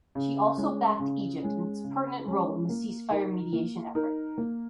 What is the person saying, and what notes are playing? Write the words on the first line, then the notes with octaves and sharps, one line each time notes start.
She also backed Egypt in its pertinent role in the ceasefire mediation effort.
C#3
G#3 C#4
C#3
G#3 C#4
C#3
G#3 C#4
A#3
D#4 A#4
A#3
D#4 A#4
A#3